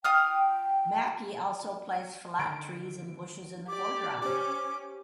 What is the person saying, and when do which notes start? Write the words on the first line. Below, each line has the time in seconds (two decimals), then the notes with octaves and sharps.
Macke also placed flat trees and bushes in the foreground.
0.04 F4 G5 D#6 F6
2.39 D3 D#3 D7
3.68 G4 D5 D6
4.22 C#4 G4 C5 D6